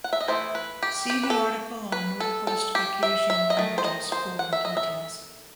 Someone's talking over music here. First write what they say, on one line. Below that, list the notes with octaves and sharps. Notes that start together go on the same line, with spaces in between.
See the article on Northwest Caucasian languages for details.
F#5
E5
D#5
E3 A3 E4 C5
B4
G4
G4
B4
A4
B4
A4
A4
G4
E5
E5
D#5
D#3 A3
C5
D#5
C5
F#5
E5
D#5
E5